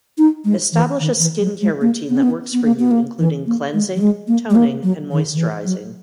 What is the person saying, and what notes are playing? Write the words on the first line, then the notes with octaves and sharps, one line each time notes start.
Establish a skincare routine that works for you, including cleansing, toning, and moisturizing.
D#4
G#3
E3
D#3
E3
F#3
G#3
A#3
B3
C#4
B3
B3
A#3
B3
A#3
E3
A#3
G#3
F#3
G#3
A#3
G#3
A#3
F#3
D#3
D#3
E3
F#3